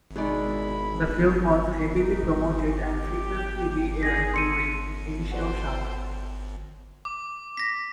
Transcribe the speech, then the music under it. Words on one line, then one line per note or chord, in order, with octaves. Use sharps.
The film was heavily promoted and frequently re-aired during its initial summer.
G#1 B2 D3 G#3 D#4 E4 D5 B5
D#4
G4
G#4 A#6
A4 C6 C#7 D#7
F#4 A4 B4 C5 D5 G5
D6
A#6 B6